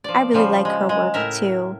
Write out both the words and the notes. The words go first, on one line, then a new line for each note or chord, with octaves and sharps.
I really like her work too.
F3 D5
C#3 F3 G3
G#3
G#3
A2 A#4 E5